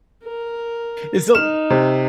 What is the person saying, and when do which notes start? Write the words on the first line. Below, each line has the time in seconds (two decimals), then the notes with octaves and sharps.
It's a l
0.24 A#4
1.35 D#4 F6 E7
1.70 C3